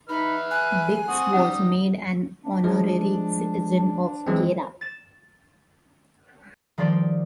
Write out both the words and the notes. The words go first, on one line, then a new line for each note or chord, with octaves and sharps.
Dix was made an honorary citizen of Gera.
D#4 B4 E5 B5 F6
G#5 F#6
C4 F#5 C#6 D#6
G3 C#4 D#4 F#5
D4
F3 G#3
D4
E3 G#3 C4
A6 E7
D#3 F3 G3 G4 C5 D5